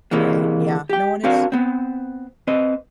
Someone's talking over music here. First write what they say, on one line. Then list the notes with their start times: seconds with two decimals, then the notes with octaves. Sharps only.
Right, yeah. No, and it's
0.11 C3 E3 G#3 A#3
0.89 G4 G5
1.24 C4 D4 F#4 A#4 F5
1.52 B3 C4
2.47 C4 B4 D#5